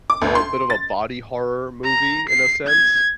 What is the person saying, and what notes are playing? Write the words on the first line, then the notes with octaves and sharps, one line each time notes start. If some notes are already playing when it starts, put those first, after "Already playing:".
a little bit of a body horror movie in a sense.
D6
D2
C6
A6
A#5
C7
G#6